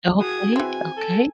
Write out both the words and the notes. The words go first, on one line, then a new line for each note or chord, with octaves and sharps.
Okay, okay.
F#4 G#4 D#6 G#6
E3 C4 G#5
A4